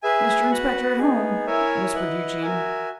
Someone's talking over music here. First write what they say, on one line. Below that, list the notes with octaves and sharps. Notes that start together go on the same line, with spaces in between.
'Mr Inspector at home?' whispered Eugene.
G#4 B4 E5 G#5
F#4 B4 F#5
B3 D#4 G#4
E4 A#4 C#5 E5 G#5
E4 B4 D#5 F#5
F#4 A#4 E5 G#5